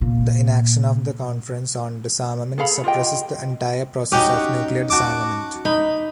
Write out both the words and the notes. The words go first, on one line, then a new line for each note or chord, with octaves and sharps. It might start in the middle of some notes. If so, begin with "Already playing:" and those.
The inaction of the Conference on Disarmament suppresses the entire process of nuclear disarmament.
A#2
G#4 A4 F5 B5
F4 G4 D#5 G5
C#4 D#4 F#4 G4
F#4 A5 D6
D#4 B5